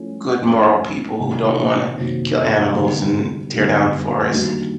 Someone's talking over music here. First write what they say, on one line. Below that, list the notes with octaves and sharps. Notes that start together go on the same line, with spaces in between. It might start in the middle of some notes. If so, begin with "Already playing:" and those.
good moral people who don't wanna kill animals and tear down forests,
Already playing: F3 A3 C#4 E4 A4
F3 A3 C#4 E4 A4
C3 D#3 F#3 A#3
C3 D#3 F#3 A#3
D3 G3 B3 D#4 G4
D3 G3 B3 D#4 G4
D#3 G3 A#3 D4 F#4